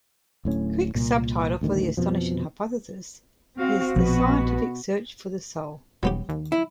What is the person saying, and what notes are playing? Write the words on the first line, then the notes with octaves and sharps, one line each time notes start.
Crick's subtitle for "The Astonishing Hypothesis" is "The Scientific Search For The Soul".
D1 A2 C#4
C2 A#2
A1 D2 D#3
F2 B2 F3
C4 F#4 F5
A#1 B2 F3 F#4 B4
E1 F#3 B3 G4
D#2
E4